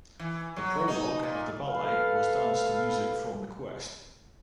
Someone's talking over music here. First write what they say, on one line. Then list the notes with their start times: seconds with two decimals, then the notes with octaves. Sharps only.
The prologue of the ballet was danced to music from "The Quest".
0.19 E3
0.56 F#3
0.88 D#4
1.23 A#2
1.69 A4 B4 F5